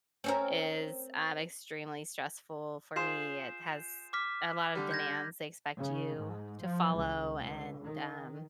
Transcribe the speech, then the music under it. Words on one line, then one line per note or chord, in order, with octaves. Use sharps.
is, um, extremely stressful for me, it has a lot of demands they expect you to follow, and, um,
C4 C#4 A#4
F4 G#4 C5 G6 C7 E7
D6 F6 B6
D3 G3
G6 G#6 A#6
C#3
G#2
F3
C#2
C#2
D#3